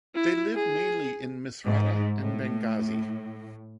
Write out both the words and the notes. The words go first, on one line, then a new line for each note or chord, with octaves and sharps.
They live mainly in Misrata and Benghazi.
E4
G#4
G#2
A2